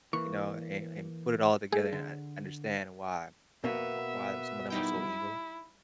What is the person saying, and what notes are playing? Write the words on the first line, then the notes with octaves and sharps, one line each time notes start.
you know, and and put it all together and and understand why you know, w why some of them are so evil,
E3 A#3 C#6
A3 G#4
D3
B2 A#3 B3 E5
G3 D#4 E4 G5